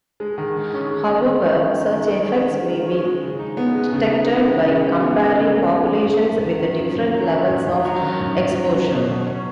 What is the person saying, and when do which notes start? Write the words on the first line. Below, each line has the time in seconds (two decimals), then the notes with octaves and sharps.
However, such effects may be detected by comparing populations with different levels of exposure.
0.20 G#3
0.38 D#3
0.55 D#3
0.73 C#4
0.91 G#3
1.08 D#3
1.26 D#3
1.44 C#4
1.62 G#3
1.79 D#3
1.98 D#3
2.15 C#4
2.33 G#3
2.50 D#3
2.69 D#3
2.87 C#4
3.04 G#3
3.22 C#3
3.39 D#4
3.57 B3
3.75 G#3
3.93 C#3
4.11 D#4
4.29 B3
4.46 G#3
4.65 C#3
4.81 D#4
5.00 B3
5.18 G#3
5.35 C#3
5.53 D#4
5.71 B3
5.89 D#3
6.07 F#2
6.24 F#2
6.42 F#3
6.59 D#3
6.78 F#2
6.96 F#2
7.14 F#3
7.32 D#3
7.49 F#2
7.67 F#2
7.85 F#3
8.02 D#3
8.20 F#2
8.38 F#2
8.55 F#3
8.74 F#3
8.91 B2
9.09 B2
9.27 C#4